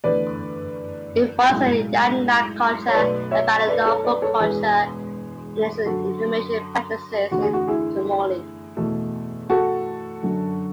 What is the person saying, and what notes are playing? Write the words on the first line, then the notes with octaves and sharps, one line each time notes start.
It follows the Yamna culture and Balanovo culture in its inhumation practices in tumuli.
E2 D3 A3 B4 D5
B1 A2 G#3
C#5
B1 B2 A3 B4 D5
C#5 E5
B4 D5
A4 C#5
B4 D5
A4 C#5
E1 E2 B2 G#3 G#4 B4
F#2 D3 F#3 F#4 A4
E2 D3 A3 F#4
G#4
F#4
E4 G#4
E2 B2 A3
F#4 A4
F#2 D3 F#3